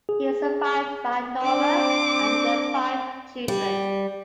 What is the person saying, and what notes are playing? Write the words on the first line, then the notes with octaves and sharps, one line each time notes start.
He is survived by Norma and their five children.
G#4
C4 D4 D6
G3